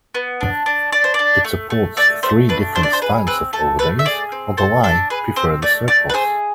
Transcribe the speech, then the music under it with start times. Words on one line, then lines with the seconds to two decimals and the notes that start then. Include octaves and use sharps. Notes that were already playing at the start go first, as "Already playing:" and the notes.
It supports three different styles of overlays, although I prefer the circles.
0.15 B3
0.41 D4
0.66 D4
0.92 D4 D5
1.04 C5
1.14 D4 D5
1.44 A3
1.70 A3
1.97 A3 D5
2.23 A3 C5
2.49 D4 B4
2.75 D4 C5
2.83 D5
2.93 C5
3.02 G#4 B4
3.27 C4 B4
3.53 A3 A4
3.79 A3 B4
3.99 E5
4.05 G#4 D5
4.32 C4
4.57 A4 C5
4.83 D4 A4
5.10 G#4 B4
5.36 C4 C5
5.62 A3 D5
5.88 A3 D5
6.09 B4
6.14 G#4 C5